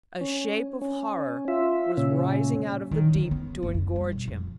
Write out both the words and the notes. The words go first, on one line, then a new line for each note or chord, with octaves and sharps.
A shape of horror was rising out of the deep to engorge him.
C#4
C#4
F4 E5
A#2 C#3 C#4
D#3
D3
B3
F#1
F#2
G3
B2
F2